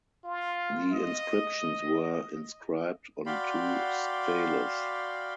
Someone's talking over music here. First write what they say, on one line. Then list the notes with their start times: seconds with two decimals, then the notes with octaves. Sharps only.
The inscriptions were inscribed on two steles.
0.24 F4
0.91 D#5
3.26 F#4 D5 F5 G5 B5 C6